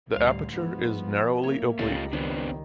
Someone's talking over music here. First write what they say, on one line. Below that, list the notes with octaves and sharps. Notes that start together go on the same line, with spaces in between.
The aperture is narrowly oblique.
D2 A2 G3 F5 C6
G#2 F3 B3
A#3 C#5 E5
C#2 G3 A3 C#4 D#4 F4 D5
F#1 D#3 B3 C4 D4